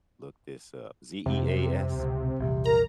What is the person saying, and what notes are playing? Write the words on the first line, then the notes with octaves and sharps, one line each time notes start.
look this up. Z-E-A-S?
F2 C3 G3
C#2 B2
A#1 E2 C3 G3
A#4 A#5